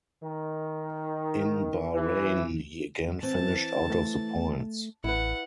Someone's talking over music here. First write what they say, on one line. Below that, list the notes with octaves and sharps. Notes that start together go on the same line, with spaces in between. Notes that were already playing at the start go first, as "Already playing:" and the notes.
In Bahrain he again finished out of the points.
D#3
E3
E3 C4 A5
A3
A1 E4 B4 F#5